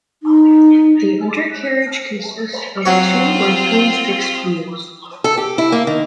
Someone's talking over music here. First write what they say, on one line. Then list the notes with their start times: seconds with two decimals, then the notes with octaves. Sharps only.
The undercarriage consists of two or three fixed wheels.
0.23 D#4
2.85 F#3 C4 F4 C#5
5.24 A4
5.37 G4
5.58 E4
5.72 A#3
5.87 D#3